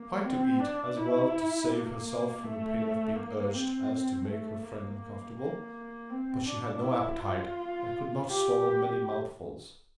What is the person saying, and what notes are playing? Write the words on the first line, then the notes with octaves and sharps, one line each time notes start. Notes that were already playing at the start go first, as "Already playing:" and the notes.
She tried to eat, as well to save herself from the pain of being urged as to make her friend comfortable; but she had no appetite, and could not swallow many mouthfuls.
Already playing: A#3
C4
D4
E4
A#3
A3
A#3
C4
A3
A#3
A#3
A#3
C4
D4
E4
F4
G4